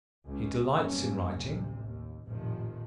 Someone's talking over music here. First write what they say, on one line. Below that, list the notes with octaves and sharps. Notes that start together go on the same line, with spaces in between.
He delights in writing.
C#2 C#4
F#1 G2 B2 F#3 A#3 C#4
A1 D2 C3
D#2
F1 A#1 A2 C3 D#3 F3